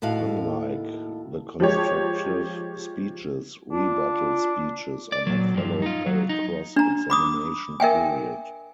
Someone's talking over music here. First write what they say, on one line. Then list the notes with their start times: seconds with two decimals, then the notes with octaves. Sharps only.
Unlike the constructive speeches, rebuttal speeches are not followed by a cross-examination period.
0.02 D#2 A2 F#4 F5
1.60 F3 G#3 G4 C#5
3.72 D4 F4
5.12 D5
5.27 A#2 F#3
5.54 G2 F3
5.82 D#4 F4
6.06 F#3
6.29 D#4
6.76 D4 A#5
7.10 B5 D6 D#6
7.80 A#4 E5 G5 G#5